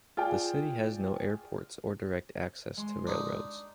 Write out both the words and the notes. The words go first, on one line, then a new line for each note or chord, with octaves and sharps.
The city has no airports or direct access to railroads.
F4 G#4 D5 G5
G#3 C6
D4 D#4